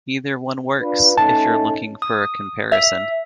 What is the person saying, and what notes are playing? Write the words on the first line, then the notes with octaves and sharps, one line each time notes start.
Either one works if you're looking for a comparison.
D4 F4 B4
A3 C#4 D#4 A5
D#6
E5